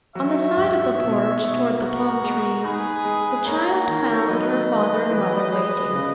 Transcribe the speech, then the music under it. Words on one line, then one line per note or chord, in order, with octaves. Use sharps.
On the side of the porch toward the plum-tree the child found her father and mother waiting.
F#3 C#5 E5
G#2
B2
B2
B3 F#4 A#4
G#3
D#4 G#4 B4
G#3
A#3 A#4 C#5
D#3
F#3 B4 D#5
F#3
E3
G#3
C#3